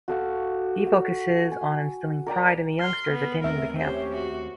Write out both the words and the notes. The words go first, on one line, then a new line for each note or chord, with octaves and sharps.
He focuses on instilling pride in the youngsters attending the camp.
F#4 A4 F5
F#4
G#5
A#4 D5 G5 A#5
C6 F6
B3
D#2 A3 C4 A#4 E5
C#4 G4 C5 C#5
F#4